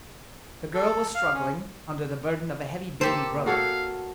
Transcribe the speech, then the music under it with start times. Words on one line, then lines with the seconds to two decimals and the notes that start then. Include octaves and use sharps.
The girl was struggling under the burden of a heavy baby brother.
0.74 A4
1.15 F5
1.34 C#4
3.01 A#3 G4 A4 C5
3.46 F#4 A4 C#5 F5